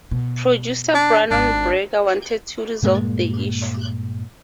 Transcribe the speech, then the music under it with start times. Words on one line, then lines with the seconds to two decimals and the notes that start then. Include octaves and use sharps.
Producer Brannon Braga wanted to resolve the issue.
0.11 B2
0.95 D4
1.31 G#1 D4
2.83 G2 A#2 G#3 A#3